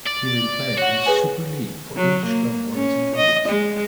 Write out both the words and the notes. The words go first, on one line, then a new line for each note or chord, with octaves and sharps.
He then played in Super League for English club Warrington Wolves.
D5
F#4 C#5 F#5
G#4 B4 G#5
F#3
A#3
C#4
D#5
G#3